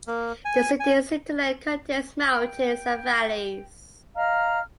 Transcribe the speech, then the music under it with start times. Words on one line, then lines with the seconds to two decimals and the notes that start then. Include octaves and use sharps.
The city's hinterland contains mountains and valleys.
0.07 A#3
0.45 G#5
0.80 G#5
2.24 G5
4.15 D#5 F5 A#5 F6